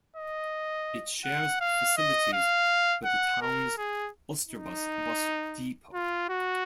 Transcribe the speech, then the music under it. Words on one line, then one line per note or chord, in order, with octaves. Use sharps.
It shares facilities with the town's Ulsterbus bus depot.
D#5
F#5
F5
D#5
F5
F#5
A#4
G#4
D#4
F4
F#4